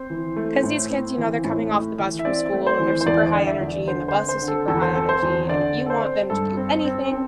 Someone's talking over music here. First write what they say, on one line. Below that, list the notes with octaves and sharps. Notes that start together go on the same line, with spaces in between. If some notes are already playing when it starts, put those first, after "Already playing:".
'Cause these kids, you know, they're coming off the bus from school and they're super high energy, and the bus is super high energy, and if you want them to do anything,
Already playing: C4 C5
E3
A3
A2
C4
E3
A2
A3
E3
E5
C4 D5
A3
C5
E3
C5
E2 D5
D5
D3
E5
E2
D5
D3 C5
C5
C4
C5
D3
A4
E2 A4
C5
C4 A4
C5
E2
D3 D5
C4
A4
C5
C4
G2 A4
C4
C4
C4